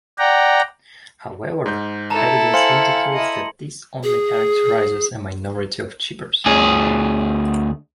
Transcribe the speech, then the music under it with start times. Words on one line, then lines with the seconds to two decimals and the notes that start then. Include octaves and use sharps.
However, evidence indicates that this only characterizes a minority of chippers.
0.18 D5 F#5 G5 A#5
1.66 G#2 G6
2.10 E4 A4 A5 A#5
2.54 C5 F5 G#5 C6 C#7 F#7
3.14 E4 D#5
4.04 G#4
6.46 D2 G#4